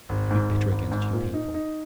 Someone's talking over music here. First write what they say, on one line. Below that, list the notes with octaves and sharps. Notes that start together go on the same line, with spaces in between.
He's very bitter against you people.
G#1
G#2
G#1
G#1
G#2
A#2
D#4
D#4